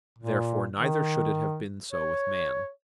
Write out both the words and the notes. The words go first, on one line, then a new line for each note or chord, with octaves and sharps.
Therefore neither should it have been so with man.
A#2
D#3
C#5